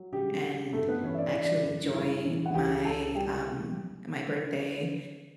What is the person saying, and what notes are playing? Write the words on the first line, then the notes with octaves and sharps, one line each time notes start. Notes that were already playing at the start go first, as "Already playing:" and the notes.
and actually enjoy my, um my birthday,
Already playing: F#3
C#3 G4
F#3
G2 A3 A4
B3 B4
E3 C#4 C#5
E5
D4 D5
E3 D4 D5
F#2
G3 E4 E5
E3
F#5
C#2 G4 G5
C#2 A4 A5
G3 G4 G5